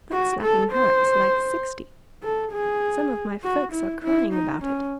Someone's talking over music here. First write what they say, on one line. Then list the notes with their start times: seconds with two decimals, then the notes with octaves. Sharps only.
That slapping hurts like sixty; some of my folks are crying about it.
0.12 F#4
0.42 A4
0.72 C5
2.23 A4
2.52 G#4
3.43 F#4
3.73 E4
4.03 E4
4.33 D#4
4.63 C#4